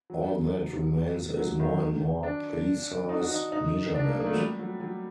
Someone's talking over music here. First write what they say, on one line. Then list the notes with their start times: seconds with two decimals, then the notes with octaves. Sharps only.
All that remains is more and more precise measurement.
0.10 F#3
1.37 F#3
1.60 D#3
2.23 D4
3.09 D#4
3.20 F#4
3.31 D#4
3.52 D#4
3.94 D4
4.05 A#3
4.20 A#3
4.26 A3
4.32 F#3
4.37 G3
4.59 F#3
4.80 F#3